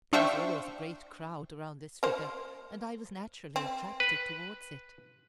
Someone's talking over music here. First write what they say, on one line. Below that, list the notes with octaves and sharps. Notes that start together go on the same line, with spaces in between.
There was always a great crowd around this figure, and I was naturally attracted towards it.
D4 C5 E5 F5 G5 C#6
A#4 C5
C4
B4